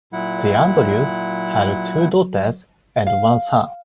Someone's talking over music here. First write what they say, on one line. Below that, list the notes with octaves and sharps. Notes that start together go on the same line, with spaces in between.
The Andrews had two daughters and one son.
A#2 F#3 E4 F#5
F5